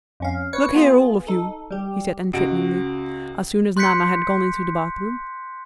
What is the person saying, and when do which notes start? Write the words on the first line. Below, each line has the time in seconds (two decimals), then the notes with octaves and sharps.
"Look here, all of you," he said entreatingly, as soon as Nana had gone into the bathroom.
0.20 F2 C#4 F5
0.53 B4 C#5 C#7
0.75 B3 F4 G#4
1.27 D#4 A4
1.71 G3 G4
2.33 C#2 F#4 D7
3.77 C6 F#6 G6 B6 C#7